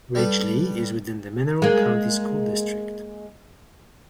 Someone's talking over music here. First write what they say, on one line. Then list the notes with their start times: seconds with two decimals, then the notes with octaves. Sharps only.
Ridgeley is within the Mineral County School District.
0.15 G3 A4 B4
1.62 G#3 A#3